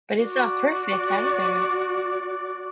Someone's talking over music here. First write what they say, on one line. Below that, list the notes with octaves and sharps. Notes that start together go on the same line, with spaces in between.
but it's not perfect either.
F#4 D5